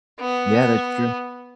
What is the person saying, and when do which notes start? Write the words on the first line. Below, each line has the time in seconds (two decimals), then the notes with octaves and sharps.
Yeah, that's true.
0.20 B3